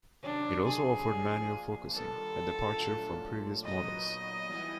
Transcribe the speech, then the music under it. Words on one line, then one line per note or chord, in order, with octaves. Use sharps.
It also offered manual focusing, a departure from previous models.
C3 D#3 F#3 D4
G#4
F3 A#3 D4 F4
D#3 G3 B3 D4 F4 A4
A#2 F#3 A3 D4 F4
A#2 F#3 B3 D#4 D#5
E3 G3 B3 E4